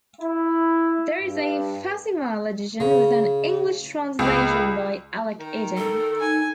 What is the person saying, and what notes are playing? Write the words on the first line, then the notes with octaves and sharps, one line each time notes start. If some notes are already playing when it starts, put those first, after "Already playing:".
There is a facsimile edition with an English translation by Alec Eden.
E4
G2
C#3
C#2
D#3
A4
D#4 G#5